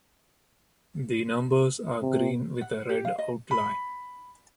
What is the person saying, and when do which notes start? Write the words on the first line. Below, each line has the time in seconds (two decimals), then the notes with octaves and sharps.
The numbers are green with a red outline.
2.02 C3
2.61 F#5
2.89 G4
3.05 F5
3.18 D#5
3.51 B5